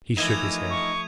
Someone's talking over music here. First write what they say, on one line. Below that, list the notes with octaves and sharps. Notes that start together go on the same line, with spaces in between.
He shook his head.
E3 F3 A3 A#3 D#4 D#6 G#6 D#7
C#6